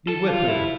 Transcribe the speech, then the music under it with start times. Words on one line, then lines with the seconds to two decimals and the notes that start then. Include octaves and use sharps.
Be with her!
0.09 A4
0.28 F4
0.48 E4